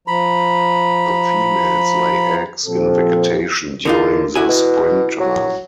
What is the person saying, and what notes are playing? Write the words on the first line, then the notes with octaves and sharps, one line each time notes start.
The females lay eggs in vegetation during the springtime.
F3 A#5 B5
A#2 F3 C4 A4
D3 A#3 D#4 F4
E4 F#4 G#5
B2
F#3